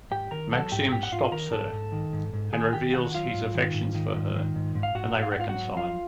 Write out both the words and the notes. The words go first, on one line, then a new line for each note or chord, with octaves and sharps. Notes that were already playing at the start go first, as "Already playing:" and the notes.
Maxim stops her and reveals his affections for her and they reconcile.
G#2 G4 G5
D#3 A#4 A#5
F#3 A4 A5
G#2 G4 G5
G#2 G4 G5
F#5
G#2 F4 F5
D#3 A#4 A#5
G#2 A4 A5
G#2
D#3
G#2
G#2
D#3 G#4 G#5
D#3 G4 G5
D#3 F#4 F#5
F#3 F4 F5
G#2
D#3
G#2
D#3
G#2
D#3
G#2
G#2
F5
G#2 F#4 F#5
G#2
F5
F#5
G#2 F4 F5
F#4 F#5
F#3
F3 F4 F5